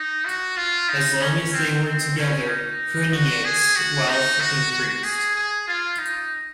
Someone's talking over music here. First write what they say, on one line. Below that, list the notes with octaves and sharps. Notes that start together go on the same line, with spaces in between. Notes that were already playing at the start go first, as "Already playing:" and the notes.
As long as they were together Cruinniuc's wealth increased.
Already playing: D#4
F#4
F4
D#4
C#4
C4
C4
C#4
D#4
F#4
G#4
F#4
D#4
F#4
F#4
G#4
G#4
F4
D#4